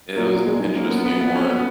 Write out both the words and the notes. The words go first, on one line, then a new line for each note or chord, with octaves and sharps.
It was interesting one.
A#2 F#3
A#2
B2 G#3
A#2
G#2
F#2 A#3
B3
F#2 B3
B3
C#4
B3